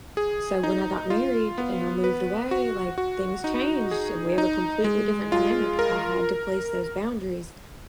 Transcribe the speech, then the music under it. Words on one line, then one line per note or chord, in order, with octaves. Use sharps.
So, when I got married and I moved away, like, things changed and we have a completely different dynamic. I had to place those boundaries
G#4
D#4
F4
B3
B4
F#4
F#4
D#4
G#4
D#4
G#3
F4
A#4